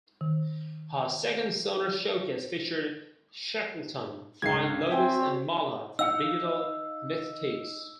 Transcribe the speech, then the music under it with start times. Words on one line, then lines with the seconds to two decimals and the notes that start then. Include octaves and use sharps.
Her second Sonar showcase featured Shackleton, Flying Lotus and Mala from Digital Mystikz.
0.21 D#3
4.42 C#2 G#2 G#6 C7
4.90 C4 F#4 E5 G5 G#5
5.99 D#4 D#5 F5 E6 C#7